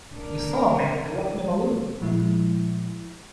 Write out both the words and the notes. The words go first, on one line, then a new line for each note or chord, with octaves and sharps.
We saw a man go up in a balloon.
D4 A#4
A#2 F3 G#3 E4